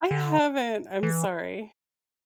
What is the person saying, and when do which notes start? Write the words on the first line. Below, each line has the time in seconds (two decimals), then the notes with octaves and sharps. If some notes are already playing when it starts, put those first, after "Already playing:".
I haven't, I'm sorry.
0.11 D3
1.03 E3